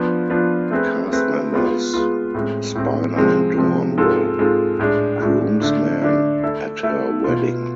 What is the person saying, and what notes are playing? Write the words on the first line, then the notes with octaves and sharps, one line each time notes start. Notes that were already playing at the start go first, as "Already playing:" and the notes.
Cast members Spiner and Dorn were groomsmen at her wedding.
Already playing: F3 B3 D4 F4 B4
F3 B3 D4 F4 B4
A3 C4 G#4 B4
A3 C4 G#4 B4
G#3 B3 F4
G#3 B3 F4
A2 G#3 C4
A2 G#3 C4
C3 F3 G#3 C4
C3 F3 G#3 C4
G#2 G#3 C4 F4 A4
G#2 G#3 C4 F4 A4
A2 G#3 D4
A2 G#3 D4
D3 A3 D4
D3 A3 D4
A3 E4 A4
A3 E4 A4
B2 B3 F4